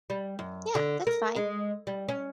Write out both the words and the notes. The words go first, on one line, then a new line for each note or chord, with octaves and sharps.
Yeah, that's fine.
G3
F#2
D3
A#4
G#3
G3
C#4